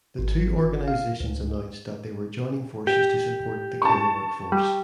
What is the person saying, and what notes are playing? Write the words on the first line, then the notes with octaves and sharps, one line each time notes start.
The two organisations announced that they were joining forces to support the care workforce.
G#1
G1
F5
C#2
G4
A5 C#6
G3